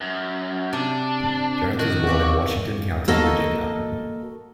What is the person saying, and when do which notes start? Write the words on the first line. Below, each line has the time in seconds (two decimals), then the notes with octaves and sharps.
Jones was born in Washington County, Virginia.
0.01 F#2
0.73 C3 D4
1.79 D#3 F#4
2.07 C4 F4 G4
3.08 A#3 F#4 A4 D#5 A5